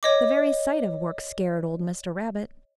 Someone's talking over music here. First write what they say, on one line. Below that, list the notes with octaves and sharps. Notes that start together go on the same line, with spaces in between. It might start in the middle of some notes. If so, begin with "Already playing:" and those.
The very sight of work scared old Mr. Rabbit.
C#5 D#5 D6